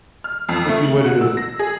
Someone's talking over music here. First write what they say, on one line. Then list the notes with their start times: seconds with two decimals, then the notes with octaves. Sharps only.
That's a good way to do it.
0.24 F6
0.49 F2
0.69 A3
0.84 F#7
1.05 F#4
1.21 E6
1.37 A#6
1.59 G#4